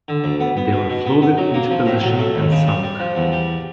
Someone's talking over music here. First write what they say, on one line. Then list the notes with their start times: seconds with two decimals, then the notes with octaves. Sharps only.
They were floated into position and sunk.
0.08 D3
0.24 D2
0.40 B3
0.57 B3
0.73 B2
0.90 B2
1.06 B3
1.22 B3
1.38 F#3
1.54 A#3
1.70 F3
1.86 A2
2.02 F#3
2.19 A3
2.35 D#2
2.52 C#3
2.67 G3
2.83 G3
2.99 F3
3.15 E2
3.32 G3